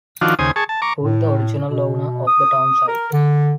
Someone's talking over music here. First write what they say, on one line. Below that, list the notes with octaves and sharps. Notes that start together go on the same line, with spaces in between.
Foot, the original owner of the town site.
D#3 F3 D4 F4 F#4
D#2 C#3 C5 G#5 D#6
G#4 A5 C#6
A5
A#5 C#6 D6
A2
B2
D#6
A#4
D3